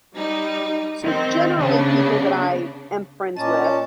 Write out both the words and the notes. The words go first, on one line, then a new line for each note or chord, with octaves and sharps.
So generally people that I am friends with
G3 D#4
D#3 C4
C#3 B3 D4
A#2 C#4 D#5 A5 A#5 D6
C#5